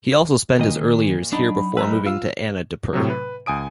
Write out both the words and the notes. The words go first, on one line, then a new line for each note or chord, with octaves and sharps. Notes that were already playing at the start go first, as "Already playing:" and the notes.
He also spent his early years here before moving to Anandpur.
A#2 D#3 D#5
F#3 D4 D#4 B5
F#1 B4 A#5 E6
F4 E6
A2 C3 F#3
B4
C#2 G#5 D#6 D7